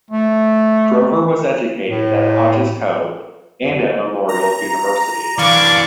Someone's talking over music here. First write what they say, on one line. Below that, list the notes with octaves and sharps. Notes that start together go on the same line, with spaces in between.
Drover was educated in Hodge's Cove and at Memorial University.
A3
A2
A#5
E3 D4 D5 F5 C#6 D6